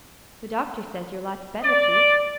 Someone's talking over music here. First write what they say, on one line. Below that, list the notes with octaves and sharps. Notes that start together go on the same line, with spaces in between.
"The doctor says you're lots better, Keith."
D5